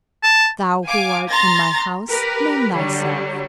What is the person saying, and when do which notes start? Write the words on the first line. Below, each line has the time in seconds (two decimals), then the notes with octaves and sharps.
'Thou who art in my house, name thyself!
0.23 A5
0.86 F5 G#5 D6
1.29 A#5 C6 A6 A#6
2.07 G4 A#4 B4
2.72 D3 F#3 G3